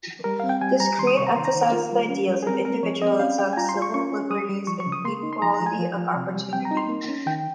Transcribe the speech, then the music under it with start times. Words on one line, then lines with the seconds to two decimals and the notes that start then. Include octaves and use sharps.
This creed emphasizes the ideals of individualism, civil liberties, and equality of opportunity.
0.24 G3 A#4
0.40 C4 F5
0.49 G5
0.61 G3 G#5
0.80 G3 A#5
0.98 D#3 C6
1.07 D#6
1.17 C3 C#6
1.27 A#5
1.36 D#3 C6
1.45 A#5
1.53 D#3 C5
1.63 A#4
1.72 F4
1.91 G3
2.09 C#4
2.28 G3
2.43 G#4
2.47 C4 A#4
2.65 C4 A#4
2.83 F3 C#5
3.02 C4 D#5
3.20 C#4 F5
3.39 G3 G5
3.53 G#5
3.57 F4 A#5
3.69 C6
3.75 F4
3.82 C#6
3.94 C#4 C#6
4.12 C#4
4.31 G3 D#6
4.49 G3
4.67 F3 C#6
4.80 C#6
4.86 C#3
4.92 D#6
5.04 A#3 C6
5.23 D#4
5.33 C6
5.42 F3 A#5
5.54 A#5
5.60 F3
5.66 G#5
5.79 F3
5.97 F3
6.16 C3
6.34 G3
6.53 C4 G5
6.65 A#5
6.71 D#4
6.77 C6
6.89 A#3
7.08 C#4
7.26 D#3 G5